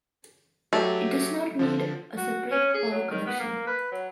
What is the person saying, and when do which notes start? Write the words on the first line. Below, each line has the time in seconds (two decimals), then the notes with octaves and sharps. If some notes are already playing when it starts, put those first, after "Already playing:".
It does not need a separate power connection.
0.73 F#3 A3 G4
1.59 D3 F3
2.17 F#4
2.51 C#4
2.74 G#4
2.91 F#3
3.10 D#3
3.26 B3
3.39 A#3
3.67 B4
3.91 F#3